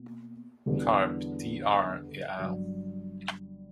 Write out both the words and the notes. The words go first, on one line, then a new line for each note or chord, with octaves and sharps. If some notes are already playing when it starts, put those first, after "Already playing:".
Karp D. R. et al.
Already playing: B2 A#3
E2 D3 G3 B3
G1 G2 F#3